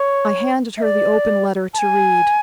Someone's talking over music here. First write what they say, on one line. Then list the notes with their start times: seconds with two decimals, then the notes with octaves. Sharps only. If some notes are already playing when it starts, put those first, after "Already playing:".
I handed her the open letter to read.
Already playing: C#5
0.78 E5
0.83 D5
1.74 A5
1.79 G#5